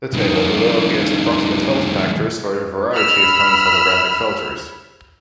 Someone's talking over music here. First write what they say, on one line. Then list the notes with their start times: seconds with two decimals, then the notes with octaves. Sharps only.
The table below gives approximate filter factors for a variety of common photographic filters.
0.13 C2 D#3
2.94 B5 E6 F6